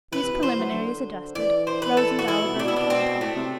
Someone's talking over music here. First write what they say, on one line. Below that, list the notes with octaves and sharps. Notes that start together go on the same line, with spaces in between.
These preliminaries adjusted, Rose and Oliver returned home.
E3 B4
C3
B2
E3 C5
F#3
D3
E3 D5
C5
B4
A4
F#4
E3 E4
B2
C3
D4
B2 E4
D4
C4
A2 A3
C3